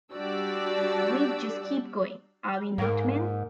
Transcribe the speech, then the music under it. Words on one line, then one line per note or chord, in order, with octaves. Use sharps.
We'd just keep going, Are we not men?
G3 D4 F#4 G4 D5 E6
G#2 A#3 A#4